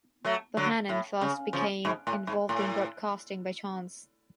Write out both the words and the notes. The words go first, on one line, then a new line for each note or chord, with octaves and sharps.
Bohannon first became involved in broadcasting by chance.
F#3 A3
D3 F#3
A2
C#3
C#3 F3
G#2
A2
G#2
A2